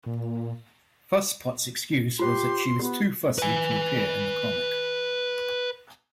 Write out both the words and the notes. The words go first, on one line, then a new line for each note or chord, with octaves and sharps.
Fuss Pot's excuse was that she was too fussy to appear in the comic.
A#2
F4 G4 C5 C6
B3 G4
B4 G#5